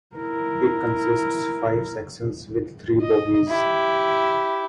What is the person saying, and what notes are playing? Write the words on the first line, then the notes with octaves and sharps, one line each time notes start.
It consists five sections with three bogies.
E4 A#4
D#5
E4 G4